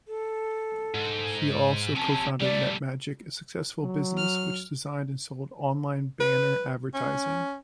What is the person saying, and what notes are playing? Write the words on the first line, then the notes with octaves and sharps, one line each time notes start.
He also co-founded Netmagic, a successful business which designed and sold online banner advertising.
A4
G#2
C3 C#4 A5
G3 A3 D5
F#3
F6
B4
C#4